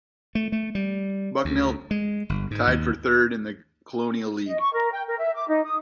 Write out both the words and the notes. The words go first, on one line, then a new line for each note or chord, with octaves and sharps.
Bucknell tied for third in the Colonial League.
A3
A3
G3
D2
G#3
G1
G#2
D#2
D#5
C#6
A#4
G5
A#4
E5
D6
D#4
D#6